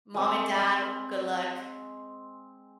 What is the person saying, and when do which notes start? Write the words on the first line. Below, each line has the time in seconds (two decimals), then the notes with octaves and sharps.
"Mom and dad, good luck,"
0.14 G#3 C4